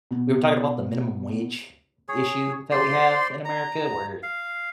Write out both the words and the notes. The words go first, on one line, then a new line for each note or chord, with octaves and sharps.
we were talking about the minimum wage issue that we have in America where
B2
G#4 C#5
C5 D5 C6
A#5
F5